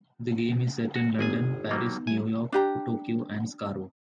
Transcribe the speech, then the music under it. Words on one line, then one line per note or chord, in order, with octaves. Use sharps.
The game is set in London, Paris, New York, Tokyo and Skaro.
C#3
F#4
G1 D#3 B3 D#4 G#4 G#5
F#3 G3 A#3
G3 E4 G#5
D4 G4 A#5